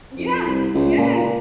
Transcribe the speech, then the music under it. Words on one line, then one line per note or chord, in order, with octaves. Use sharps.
Yeah. Yes.
F2
C2
C#2
A#2
A#2